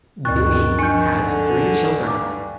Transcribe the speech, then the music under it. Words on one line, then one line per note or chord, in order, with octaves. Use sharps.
Bibby has three children.
D2 G2 D#3 C#6 F#6 A6
D#3 F3 D4 G#5 G6
D3
G2 A#5 D6